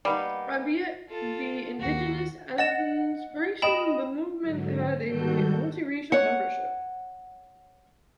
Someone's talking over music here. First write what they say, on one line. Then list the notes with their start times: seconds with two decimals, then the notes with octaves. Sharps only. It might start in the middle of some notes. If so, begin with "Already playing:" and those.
Albeit of indigenist inspiration, the movement had a multirracial membership.
0.05 G3 A#3 B3 D#4
1.09 F4 A4
1.80 D#2 F#4
2.58 D#5 F#5 A6 E7
3.62 D#5 G5 B5 E7
4.41 G#2 D3 F#3
5.04 G#2 D#3 G3 F#4 A4 G6
6.12 C#5 F#5